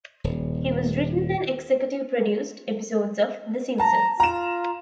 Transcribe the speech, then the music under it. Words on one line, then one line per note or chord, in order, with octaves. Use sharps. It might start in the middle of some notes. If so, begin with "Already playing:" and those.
He has written and executive produced episodes of "The Simpsons".
D#1
A5 A#5
F4 A#5 E7